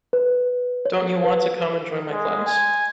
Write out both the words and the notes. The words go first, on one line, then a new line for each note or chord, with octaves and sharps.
Don't you want to come and join my class?
B4
C#5
B4
G#3
G#5